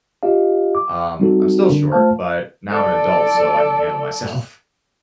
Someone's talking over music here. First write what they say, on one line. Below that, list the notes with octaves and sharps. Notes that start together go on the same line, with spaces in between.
um, I'm still short, but now I'm an adult, so I can handle myself.
F4 G4 D#5 F5
D6
G3 C4 D#4 F#4 A4
D3 D4 A#4
A3 F4 C5 F5 A5 F6
A4 D5